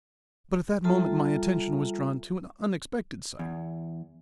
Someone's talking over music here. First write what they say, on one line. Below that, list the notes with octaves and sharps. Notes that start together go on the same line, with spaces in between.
But at that moment my attention was drawn to an unexpected sight.
G3 F4 A4 E5 A5 A#5
E2